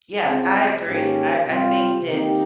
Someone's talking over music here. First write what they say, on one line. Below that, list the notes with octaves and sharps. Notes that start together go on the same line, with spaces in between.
Yeah, I agree. I I think that,
C#2 C#3 G#3 C4
G#2 D#3 A#3 C#4 G4
C3 G3 C4 F4
C3 D#3 A#3 D#4 G4